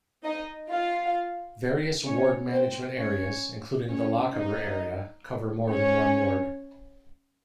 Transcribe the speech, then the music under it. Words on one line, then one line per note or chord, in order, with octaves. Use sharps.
Various ward management areas, including the Lochaber area, cover more than one ward.
D#4 D#5
F4 F5
C#4 C#5
C4 C5
C#4 C#5
C#4 C#5
D#4 D#5
C#4 C#5